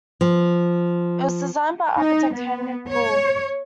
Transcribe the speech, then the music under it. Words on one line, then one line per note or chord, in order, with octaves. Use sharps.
It was designed by architect Henrik Bull.
F3
D#4
B3
C#5